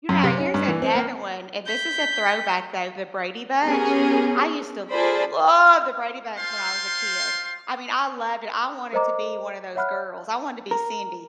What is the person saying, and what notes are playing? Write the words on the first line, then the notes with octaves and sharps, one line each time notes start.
You know, here's another one, and this is a throwback, though, The Brady Bunch. I used to love The Brady Bunch when I was a kid. I mean, I loved it I wanted to be one of those girls, I wanted to be Cindy,
F#2
C3
C#4
G2
E3
C4
A#3
G6 B6
B3 C#4 G4 G#4 A#4
F4 G#4 A4 C5 D5 B5
F4 C5 F5 G5 C6
A#4 C5 D#5 A#5 D6
C#5 E5 F#5 B5 F6 F#6
A#4